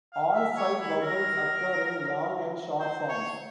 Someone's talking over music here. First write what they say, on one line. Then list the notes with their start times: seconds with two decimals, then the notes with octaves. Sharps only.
All five vowels occur in long and short forms.
0.13 F5
0.34 E5
0.57 C#5
0.80 E4
1.02 A#4
2.80 C5
3.09 C#5